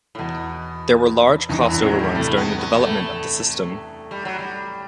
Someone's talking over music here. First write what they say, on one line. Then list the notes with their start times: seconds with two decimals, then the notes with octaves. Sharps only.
There were large cost overruns during the development of the system.
0.15 A2
0.19 E2 B2
1.49 E2 G2 D#3
1.61 F#3
1.66 E3
1.73 G2
1.82 F#2 A2 F#3
1.99 G3
2.15 A2 C3 A3
2.37 B3
2.58 B3
2.74 G3
2.80 A3
4.11 G3
4.25 F#3
4.39 G3